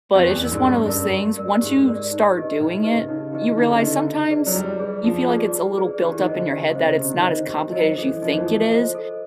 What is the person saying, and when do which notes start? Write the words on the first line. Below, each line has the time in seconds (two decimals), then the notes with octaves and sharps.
but it's just one of those things. Once you start doing it, you realize sometimes you feel like it's a little built up in your head that it's not as complicated as you think it is,
0.15 F2 G4
0.27 E2
0.39 D5
0.44 A#4
0.52 G#2
0.63 G2 G4
0.75 F#2
0.86 G2 A#4 D5
1.14 G4
1.37 A#4 D5
1.61 G#2 G4
1.86 A#4 D5
2.11 D#4
2.36 G4 B4 D#5
2.60 A2 D#4
2.84 G4 B4 D#5
2.92 C#3
3.08 C#3 D#4
3.32 E3 G4 B4 D#5
3.57 D3 D#4
3.70 C#3
3.82 D3 G4 B4 D#5
4.07 E4
4.30 G#4 B4 D5
4.47 F#3
4.55 G3 E4
4.79 G#4 B4 D5
5.04 F3 E4
5.28 G#4 B4 D5
5.54 E4
5.77 G#4 B4 D5
6.02 E3 G4
6.18 D#3
6.26 C5 D#5
6.35 D3
6.51 C#3 G4
6.67 C#3
6.75 C3 C5 D#5
6.84 C#3
7.00 C3 G4
7.10 D3
7.16 D#3
7.25 C5 D#5
7.33 D#3
7.49 G4
7.72 F#3 C5 D#5
7.97 E3 A4
8.22 F3 D#5
8.25 E3 C5
8.37 F3
8.47 A4
8.71 C5 D#5
8.95 A4